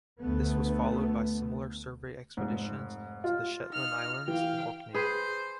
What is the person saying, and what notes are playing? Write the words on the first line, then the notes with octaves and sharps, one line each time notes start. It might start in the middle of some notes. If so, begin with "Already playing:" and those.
This was followed by similar survey expeditions to the Shetland Islands and Orkney.
D2 A3 B3
F1 G#2
F4
D#4 F6
E3 F5 G5
G#4 B4 C5